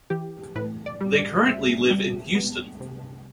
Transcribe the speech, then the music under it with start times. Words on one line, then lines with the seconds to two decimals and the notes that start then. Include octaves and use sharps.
They currently live in Houston.
0.10 E3 G4
0.56 A2 B4
0.86 D5
1.01 G3
1.16 D5
1.46 C4 E5
1.90 G3
2.35 B3
2.80 C3